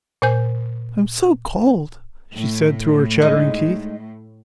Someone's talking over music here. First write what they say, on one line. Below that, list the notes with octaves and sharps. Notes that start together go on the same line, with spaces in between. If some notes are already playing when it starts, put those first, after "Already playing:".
"I'm so cold!" she said through her chattering teeth.
A#2 C5 G#5 G6
A2
G#3 D#4 D#5